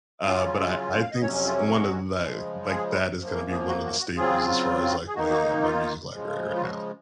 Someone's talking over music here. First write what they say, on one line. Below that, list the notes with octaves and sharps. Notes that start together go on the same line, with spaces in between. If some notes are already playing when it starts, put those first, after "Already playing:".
Uh, but I I think s one of that, like, that is gonna be one of the staples as far as, like, my my music library right now.
C#3 F#3 C#4 F4 F5
F5
D#5
F2 C3 F#3 C#4 C#5
F4
F#4
C#3 F3 G#3
G#4
F#2 F3 A#3
A#4
G#4
F#4
F#4
F#4
C#3 F#3 C4 F4 G#4
G#4
D#3 A#3 D#4 F#4
F#4
F4
C#3 F3 G#3
F4
F#4